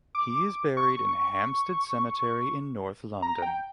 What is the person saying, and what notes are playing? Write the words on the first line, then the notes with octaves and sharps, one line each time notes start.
He is buried in Hampstead Cemetery in north London.
D6
C#6
A#5
G5